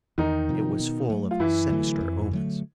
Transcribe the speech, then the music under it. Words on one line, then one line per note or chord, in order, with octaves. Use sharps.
It was full of sinister omens.
E2 D#3 D#4
C3 F3
B2
F#3 A3
F4
F#2 E3 E4
D3 F#3 A3
F2
D3 F#3 A3